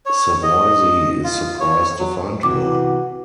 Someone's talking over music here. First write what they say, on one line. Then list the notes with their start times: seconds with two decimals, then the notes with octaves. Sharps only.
Savoisy is surprised to find her.
0.06 C#5
0.43 D#5
1.24 F4
1.60 C#5
1.99 F#3
2.43 C3 E3 E4 F#4 D6